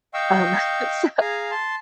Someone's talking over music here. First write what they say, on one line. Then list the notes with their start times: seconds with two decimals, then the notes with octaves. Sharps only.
Um, so
0.14 D#5 F5 G5 C#6 E6
1.20 G#4 F5 G#5 A#5
1.51 A5 C6